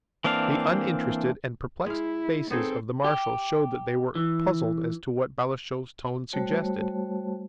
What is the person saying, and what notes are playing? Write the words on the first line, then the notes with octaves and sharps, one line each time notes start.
The uninterested and perplexed faces of the marshals showed that they were puzzled as to what Balashev's tone suggested.
E3 A#3 C4 D4 F5
G#3 E4 F5
B3 C4 D#4 G#4 A4
G4
E3
G3 A3 F#4 C5 C#5 A5